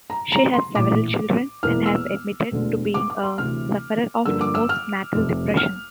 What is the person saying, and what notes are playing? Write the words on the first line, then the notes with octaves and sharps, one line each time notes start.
She has several children and has admitted to being a sufferer of post-natal depression.
A#5
A#5
C6
A#1 A2 E3 D6
E1 E2 E3 A#3 F6
E6
E1 D2 D3
D6
D6
C6
D2 C3 E3 F6
G2 D3 F3 A#3 E6
D6
E6
F6
F1 F2 C3
F6